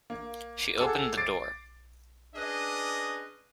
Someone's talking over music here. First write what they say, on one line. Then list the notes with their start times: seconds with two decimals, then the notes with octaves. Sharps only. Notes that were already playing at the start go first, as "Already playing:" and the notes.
She opened the door.
0.10 A#3
0.78 G#4 A4 F#5 D6 E6
1.17 D6 A6 C7 D7
2.35 C#4 D4 G#4 B4 D#5